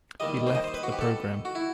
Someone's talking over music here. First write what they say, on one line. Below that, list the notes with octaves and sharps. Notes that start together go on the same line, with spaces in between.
He left the program.
D#2 D#3 G3 D#5
C5
D#5
C5
B4
F#4
G4
A4
F#4
E4